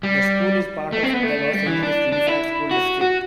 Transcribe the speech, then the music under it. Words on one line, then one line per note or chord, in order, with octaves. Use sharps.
The school is a part of the Los Angeles Unified School District.
G3
A3
C4
B3
A3
G3
E3
D4
D4
E4
F#4
F#4